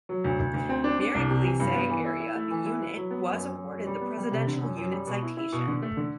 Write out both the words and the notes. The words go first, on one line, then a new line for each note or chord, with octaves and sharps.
Mere-Eglise area, the unit was awarded the Presidential Unit Citation.
F#3
D2
D2
D2
C4
D4
D4
C2
C3
E3
G2
B3
E3
E4
E4
A3
E3
E4
B4
F#3
B3
F#2
F#2
F#2
F#2
G3
B3
G3
C3
D3
F#2
F#2
G3
B2
E4
E4
B2
D3
A3
D3